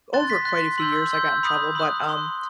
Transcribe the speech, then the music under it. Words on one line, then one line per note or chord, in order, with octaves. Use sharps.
over quite a few years, I got in trouble, but, um
C6 F#6 A6
B6
C6 F#6
C6 E6 G6 F#7
C6 E6 G6
B5 D#6 F#6
B5 D#6 F#6 F#7
C6 F#6